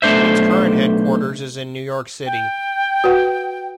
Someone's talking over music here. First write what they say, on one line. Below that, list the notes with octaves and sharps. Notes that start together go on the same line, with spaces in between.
Its current headquarters is in New York City.
B1 A3 D4 C5 E5
G5
F#4 B4 F#5